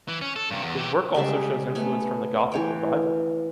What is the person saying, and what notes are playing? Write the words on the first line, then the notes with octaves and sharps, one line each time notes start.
His work also shows influences from the Gothic Revival.
E3
C#4
A4
G2 C3
E2
E3 G4
C#3 G3 G#3 E5
A3 B3 C#4 C#5
E3 C#5 G5